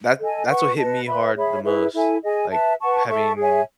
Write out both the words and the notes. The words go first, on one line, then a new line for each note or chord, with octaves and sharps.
That that's what hit me hard the most. Like, having
A4 D#5 G#5
B4 F#5 C#6
B4 D#5 A5
B4 E5 B5
G#4 C#5 E5 B5
E4 G#4 B4 E5
E4 A4 E5 G#5
G#4 D#5 G#5
B4 E5 A5
B4 F#5 A5 C#6
A4 E5 A5 C#6
G#4 C#5 E5 G#5